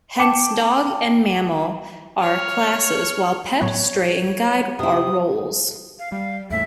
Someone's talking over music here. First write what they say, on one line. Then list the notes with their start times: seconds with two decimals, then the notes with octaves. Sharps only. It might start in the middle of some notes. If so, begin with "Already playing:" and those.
Hence, Dog and Mammal are classes, while Pet, Stray, and Guide are roles.
0.18 G5 A5 D6 C#7 E7
2.20 C#5 F6
3.61 A2 F#3 B3 C#5
4.79 C3 E4 D#6
5.99 F5
6.12 G3 F5
6.51 E2 A2 A3 E5